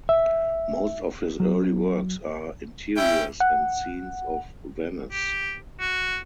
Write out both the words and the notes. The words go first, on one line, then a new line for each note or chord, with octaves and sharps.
Most of his early works are interiors and scenes of Venice.
E5
F#3
C#4 E4 E5 G5
F#5
G4
F#4